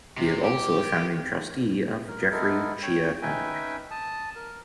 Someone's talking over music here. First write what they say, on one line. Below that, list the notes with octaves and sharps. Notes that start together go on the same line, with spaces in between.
He is also a Founding Trustee of the Jeffrey Cheah Foundation.
C3
G4
A#4
G#3 B3 E4 A4 A#4
C#5 G5
C#4 D#4 B4 E5 G5 G#5
A5 D#6
A#4